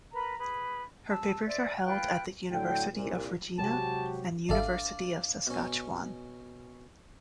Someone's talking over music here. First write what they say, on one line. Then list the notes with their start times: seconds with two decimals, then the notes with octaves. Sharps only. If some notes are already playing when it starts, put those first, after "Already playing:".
Her papers are held at the University of Regina, and University of Saskatchewan.
0.12 A#4 B4 A#5 B5
0.39 G#4 B4
1.09 A5 E6
1.46 C5 D5 E5
1.84 F4 B4 G5 F#6
2.51 A2 D3 F#3 G5
2.93 C2 A#2
3.58 C3 F#3 G#3 F#4 G4 A5
4.49 G#1 D4 A4 D5 E5 F5
5.47 B2 C#4